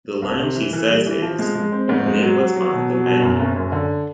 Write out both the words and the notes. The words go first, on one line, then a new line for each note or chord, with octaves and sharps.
The line she says is: "Only what's on the menu".
C2
C3
E3
E3
G3
E3
F3
G#3
G#3
C4
G#2
G#3
F#3
F#3
F#3
B2
F#3
B2
F#2
F#1
F#2
D3